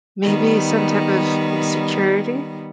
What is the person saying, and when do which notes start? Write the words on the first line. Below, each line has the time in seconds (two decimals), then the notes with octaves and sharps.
maybe some type of insecurity.
0.23 D#3 G3 B3